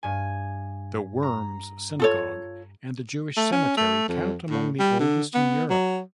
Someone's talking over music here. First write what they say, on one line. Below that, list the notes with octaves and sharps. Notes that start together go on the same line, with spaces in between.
The Worms Synagogue and the Jewish Cemetery count among the oldest in Europe.
G2 G#5
A#5
F4 A4 C#5
A3
C#4
A3
F2
A2
G3
D3
B3
F#3